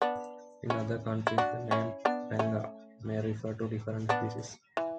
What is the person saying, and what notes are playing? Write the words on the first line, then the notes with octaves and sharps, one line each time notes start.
In other countries, the name "panga" may refer to a different species.
B3 D4
C#4 E4
E4
D4 F#4
C#4 E4
B3 D4
A3 C#4
B3 D4
E3